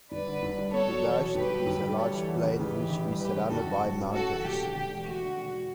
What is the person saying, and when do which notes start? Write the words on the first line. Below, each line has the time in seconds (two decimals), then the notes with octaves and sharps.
Kuhdasht is a large plain which is surrounded by mountains.
0.12 G1 B4 D5
0.27 D3
0.43 G1
0.58 G2
0.73 B3 A4 C#5
0.89 F#3
1.04 E2
1.20 B2
1.35 G1 G4 B4
1.51 F#3
1.66 G1
1.82 G2
1.97 G3 A4 C#5
2.13 E3
2.28 E2
2.43 C#3
2.59 A1 G4 B4
2.74 E3
2.90 A1
3.05 G2
3.21 E3 G4 B4
3.36 C#3
3.51 G1 F#4 A4
3.67 F#2
3.83 A2
3.98 C#4
4.14 A2 F#4 A4
4.29 F#3
4.44 E1 G4
4.60 D3
4.75 E1 G4
4.91 E2
5.06 A3 F#4
5.22 D3
5.38 E1